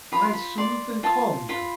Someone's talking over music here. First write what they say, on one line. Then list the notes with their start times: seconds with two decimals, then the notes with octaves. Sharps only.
I soothed and calmed her.
0.12 F4 B5
0.23 C6
0.33 B5
0.58 D5 C6
1.03 F4 A5
1.49 F4 B5